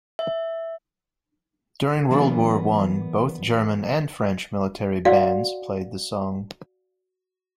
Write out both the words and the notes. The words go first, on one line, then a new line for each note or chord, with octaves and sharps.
During World War One, both German and French military bands played the song.
E5
E3 F#3 A#3 B3 D4
F#4 D5 F5 F#5